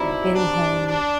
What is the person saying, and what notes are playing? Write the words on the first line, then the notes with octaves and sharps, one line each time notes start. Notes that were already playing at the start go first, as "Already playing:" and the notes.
you know, getting home,
Already playing: B2 G3 C4 D#4 E4
D4
D4